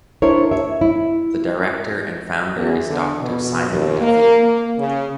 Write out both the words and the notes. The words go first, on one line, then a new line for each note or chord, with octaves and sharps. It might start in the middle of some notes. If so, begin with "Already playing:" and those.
The Director and founder is Dr Simon Duffy.
D4 E4 A#4 C5 C#5
C#5 E5
E4
E2
D3
B2
D#2
A#3
A#3
C#3